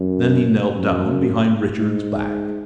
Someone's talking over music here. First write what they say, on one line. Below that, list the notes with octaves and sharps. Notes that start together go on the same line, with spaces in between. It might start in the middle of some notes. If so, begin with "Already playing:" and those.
Then he knelt down behind Richard's back.
Already playing: F#2
F#2
G#2